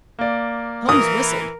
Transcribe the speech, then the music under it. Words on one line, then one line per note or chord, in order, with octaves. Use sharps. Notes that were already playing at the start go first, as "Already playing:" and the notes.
Holmes whistled.
A#3 D5
E3 A#4 D#6